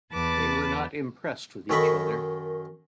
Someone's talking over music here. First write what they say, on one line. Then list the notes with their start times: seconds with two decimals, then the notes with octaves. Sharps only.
They were not impressed with each other.
0.12 E2 B4 A5 D6 A6
1.70 F#2 D#3 A4 D#5 B5 C#6